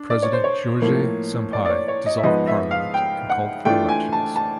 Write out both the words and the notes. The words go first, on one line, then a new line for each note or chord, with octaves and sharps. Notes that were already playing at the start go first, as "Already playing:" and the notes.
President Jorge Sampaio dissolved Parliament and called for elections.
Already playing: D4
D5
C#5
C5
C#5
A2 F3 A#3
D5
D5
C#5
C#5
D#5
E5
G#2 F3 G#3 B3 D#5
E5
F5
G5
F#5
E3 A3 D4 F4 G5
G#5
A5
A5